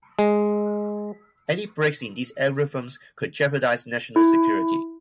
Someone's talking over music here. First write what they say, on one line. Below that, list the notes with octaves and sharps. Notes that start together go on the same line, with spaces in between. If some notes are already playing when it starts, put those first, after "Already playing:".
Any breaks in these algorithms could jeopardize national security.
G#3
E4